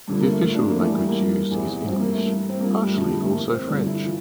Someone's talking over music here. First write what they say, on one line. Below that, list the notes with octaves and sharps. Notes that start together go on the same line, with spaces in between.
The official language used is English, partially also French.
G2 D3 F3
A#3
A3
A2 F3 A3
D4
A#3
E2 E3 A3
G3
A3
A#3
G2 E3
E2 C3 E3
G2 E3 C4
A#3
A3
G2 E3
C4
G2 F3 A#3
A3
G3
F2 D3 F3 A3
G3
A3
G2 E3 A#3
C4
G2 D3 F3 D4
E4
E3 F4